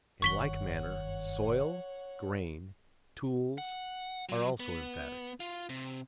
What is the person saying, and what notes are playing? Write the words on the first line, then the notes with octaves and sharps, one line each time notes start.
In like manner, "soil," "grain," "tools," are also emphatic.
F#1 G2 D#3 C#5 F#5 C#6 B6 G7
F#5
F#3
B3
F4
C3